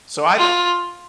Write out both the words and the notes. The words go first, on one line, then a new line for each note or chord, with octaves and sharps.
So, I don't
F4